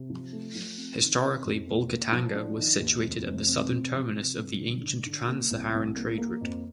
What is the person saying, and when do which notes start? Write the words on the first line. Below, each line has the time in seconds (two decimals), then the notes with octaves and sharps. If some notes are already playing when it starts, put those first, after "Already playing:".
Historically Bolgatanga was situated at the southern terminus of the ancient Trans-Saharan trade route.
Already playing: C3
0.10 F3
0.32 A3
0.55 F3
0.77 C4
1.00 D#3
1.23 C4
1.45 F2
1.67 A#3
1.90 A#3
2.12 F3
2.35 D4
2.57 D#3
2.80 D#2
3.02 F1
3.25 F1
3.48 C4
3.70 C3
3.93 F3
4.15 C3
4.38 G2
4.61 D3
4.83 D3
5.06 D3
5.28 A#3
5.51 C2
5.73 C2
5.96 A#3
6.18 A#3
6.41 F2